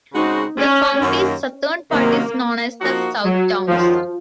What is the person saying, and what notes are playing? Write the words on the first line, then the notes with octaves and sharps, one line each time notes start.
The county's southern part is known as the Southtowns.
C#3 G#3 C4 D#4 F#4
C#4
F#2 D#3 A#3
C3 D#3 F#3 A#3
F3 A#3 D#4 F#4
F#3
F#2 D#3 F3 G#3 C#4 F4